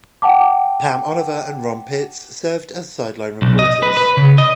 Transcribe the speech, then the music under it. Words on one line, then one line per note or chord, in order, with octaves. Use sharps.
Pam Oliver and Ron Pitts served as sideline reporters.
F#5 G5 A5 D6
B1
D#5
B4
B4
C#3
D#5